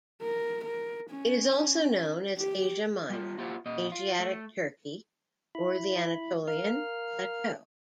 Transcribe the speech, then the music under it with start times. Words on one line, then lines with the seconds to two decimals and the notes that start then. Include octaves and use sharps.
It is also known as Asia Minor, Asiatic Turkey or the Anatolian Plateau.
0.22 A#4
0.65 A#4
1.11 C#4
2.38 G4
3.10 G3 F4
3.38 A#3 E4 F4 G4 C5 F#5
3.66 A#2 D#5
3.92 F4
4.19 A3
5.55 E4 B5
6.48 A#4 F5 F6